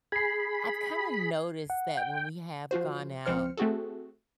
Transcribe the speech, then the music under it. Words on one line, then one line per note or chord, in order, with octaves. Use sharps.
I've kinda noticed that when we have gone out,
G#4 B5 G#6 C7
F#5
G5
F3 F4 F#4 C5
C#2 F3 C4 C5 F6 C#7
A3 C4 F#4 G#4 A4